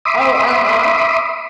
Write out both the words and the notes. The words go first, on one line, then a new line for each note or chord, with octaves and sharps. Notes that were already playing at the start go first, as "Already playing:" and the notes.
Oh, uh-huh.
E5 B5 C6 D6 D#6